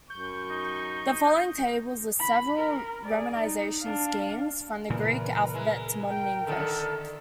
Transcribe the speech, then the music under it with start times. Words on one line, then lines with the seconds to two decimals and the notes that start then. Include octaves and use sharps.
The following tables list several romanization schemes from the Greek alphabet to modern English.
0.10 F#2 C#6 G6
0.50 D#4
2.19 B5
2.58 A#4
3.05 G#4 D5
3.39 D#4
3.81 D4 F5
4.90 E2 A#2 C#3 E3 A#4 B4
5.54 G#3 E4
6.09 A#4 G5
6.46 D3 D#3 E4 A4